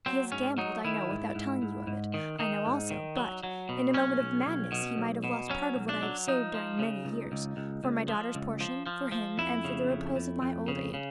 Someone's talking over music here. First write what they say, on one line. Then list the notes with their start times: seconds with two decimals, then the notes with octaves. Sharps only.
He has gambled, I know; without telling you of it, I know also, but, in a moment of madness, he might have lost part of what I have saved, during many years, for my daughter's portion, for him, and for the repose of my old age.
0.06 F#3 C4
0.32 G#2 C#4
0.58 F#3 D#4
0.84 D#3 E4
1.11 G#2
1.35 G#2
1.62 G#2
1.87 G#2
2.14 D#3
2.39 D#3 D#4
2.66 G#2
2.91 D#3
3.17 F#3
3.43 F#3
3.69 B2
3.94 B1 C#4
4.20 B1
4.46 B1
4.72 B2
4.98 B1
5.24 B2
5.50 F#3 C#4
5.76 B1
5.89 D4
6.02 F#3
6.28 F3 D#4
6.54 F3
6.79 C#3
7.05 C#2
7.32 C#2
7.57 C#2
7.84 C#2
8.08 F3
8.35 C#2
8.61 F3
8.86 F3
9.12 F3
9.38 F2 E4
9.65 C#3
9.91 F2
10.16 F2
10.42 F2
10.68 C#3
10.94 C#3